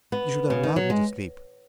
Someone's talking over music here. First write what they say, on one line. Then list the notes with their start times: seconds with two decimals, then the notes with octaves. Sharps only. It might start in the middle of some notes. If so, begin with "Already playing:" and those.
You should have allowed me to sleep.
0.12 B3
0.50 C#3
0.63 D#3
0.76 F#3
0.90 G#3